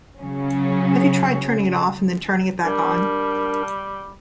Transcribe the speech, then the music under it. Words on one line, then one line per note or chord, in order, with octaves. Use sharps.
Have you tried turning it off and then turning it back on?
C#3 F#3 C#4
G3 D4 A#4